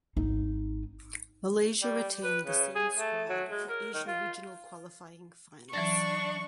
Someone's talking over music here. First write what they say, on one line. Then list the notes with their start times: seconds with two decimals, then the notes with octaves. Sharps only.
Malaysia retained the same squad for Asian Regional Qualifying Finals.
0.16 G#1 D#4
1.82 G3
2.24 B4
2.45 C#3
2.75 G#4
2.97 A3
3.29 F#3
3.51 G#3
3.69 A#4
3.94 D#3
4.07 F4
5.73 E3 F#3 D4 C#6 A6